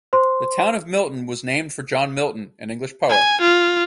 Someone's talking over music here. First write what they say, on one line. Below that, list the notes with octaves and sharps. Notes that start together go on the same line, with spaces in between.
The town of Milton was named for John Milton, an English poet.
C5 C6
G#5
F4